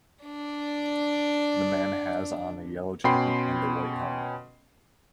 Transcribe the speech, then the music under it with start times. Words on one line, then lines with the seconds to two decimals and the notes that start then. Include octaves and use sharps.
The man has on a yellow jacket and a white helmet.
0.24 D4 D5
3.04 B2 C#4 G5 B5 C6 C7